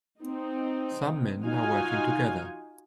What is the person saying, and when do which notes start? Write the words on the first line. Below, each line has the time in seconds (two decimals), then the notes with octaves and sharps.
Some men are working together.
0.21 C4 D#4
1.44 D#4 F4 F#4 F5 G#5